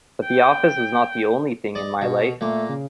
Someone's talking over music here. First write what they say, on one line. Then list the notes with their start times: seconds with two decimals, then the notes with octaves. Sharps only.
But the office was not the only thing in my life.
0.24 G5
1.75 D5 D#5
2.02 B2
2.41 A#2 A3 A#3
2.69 C#3